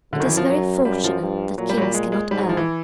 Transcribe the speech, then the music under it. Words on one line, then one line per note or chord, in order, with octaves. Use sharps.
It is very fortunate that kings cannot err.
F#2 D3
D#3
E3
F3
F#2 F#3
F#2 G3
F3
G2
A#2 F#3
G3
F#3
G3
G#3
G#3
G#2 G3
F#3
F3
E3